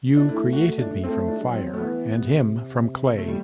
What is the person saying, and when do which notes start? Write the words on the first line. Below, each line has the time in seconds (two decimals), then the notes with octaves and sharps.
You created me from fire and him from clay.
0.17 D4
0.29 A3 E4
0.53 F#4
0.66 A3
0.78 D4
1.03 A3 C4
1.28 D4
1.41 F#3
1.54 C4
1.73 A3
1.78 E3 B3
2.16 C3
3.18 A3
3.28 G3